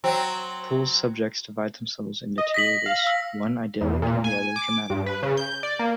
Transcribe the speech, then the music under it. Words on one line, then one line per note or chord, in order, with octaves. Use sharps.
Poole's subjects divide themselves into two orders, one idyllic, the other dramatic.
F#3 C4
D#5
A#6 B6 F#7
B6
F5
E6
E2
A#2
G#5
D6
G2
B4
C#3
G6
D5
A#3